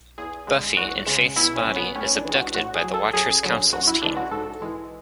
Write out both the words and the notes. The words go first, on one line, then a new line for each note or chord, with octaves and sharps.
Buffy, in Faith's body, is abducted by the Watchers Council's team.
E2 G#4
D3 G#3
E2 F#4
C#3 G#3
B2 E4
C#4
F#3
B3
A2 C#4
D4
E3 G#3
F#4
A2 F#4
G#4
F#3
A4
F#2 G#4
D3 F#3
F#2 F#4
E4
C#3 E3 G#3 D4
F#4
G#2 A4
E3 G#3